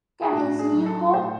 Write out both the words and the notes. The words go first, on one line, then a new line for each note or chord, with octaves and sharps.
Can I see you home?
G#4
A2 F#4
G#4
F#3
A4
A2 C5